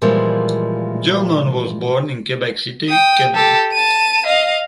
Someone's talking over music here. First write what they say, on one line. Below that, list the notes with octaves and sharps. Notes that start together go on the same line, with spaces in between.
Gillman was born in Quebec City, Canada.
A#2 E3 F3 G3 G#3 A#3
G5 D#6
G4 A4
A5 D#7
D#5 F5